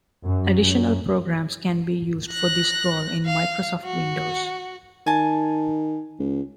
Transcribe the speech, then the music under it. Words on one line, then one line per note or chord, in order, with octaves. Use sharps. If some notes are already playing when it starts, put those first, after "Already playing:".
Additional programs can be used for this goal in Microsoft Windows.
F#2
F#2
F#6 A#6
F5
F#4
D#3 G#5 A5
C#2